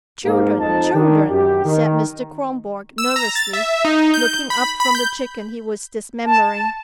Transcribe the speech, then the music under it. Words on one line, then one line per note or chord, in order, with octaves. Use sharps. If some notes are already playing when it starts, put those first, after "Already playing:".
"Children, children!" said Mr. Kronborg nervously, looking up from the chicken he was dismembering.
G#2 A#3
F2 D#4 A5
D#3 D4
F#2 G4
D#3
E6
A#5
A6
E5
D#4
G6
B5
B5
G6
A5